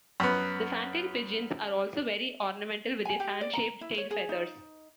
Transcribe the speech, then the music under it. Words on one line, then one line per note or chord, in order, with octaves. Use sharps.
The fantail pigeons are also very ornamental with their fan-shaped tail feathers.
F#2 B3
G#5
G4
D5
A#5
E4
C#5
G#4
D#4